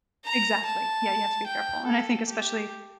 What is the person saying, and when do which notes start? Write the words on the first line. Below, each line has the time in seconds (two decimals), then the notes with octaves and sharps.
exactly, yeah, you have to be careful, and I think especially
0.25 A#5
0.65 A5
1.47 G5
1.87 A4
2.29 G4